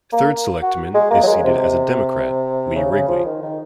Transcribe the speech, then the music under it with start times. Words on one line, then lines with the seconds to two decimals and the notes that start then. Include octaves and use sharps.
Third Selectman is seated as a Democrat, Lee Wrigley.
0.13 A#3
0.63 F#4
0.94 G#3
1.11 A#3
1.23 F#3
1.27 G#3
1.44 C3
2.75 C#3
2.92 C#3
3.09 F3
3.25 D#3
3.42 D#3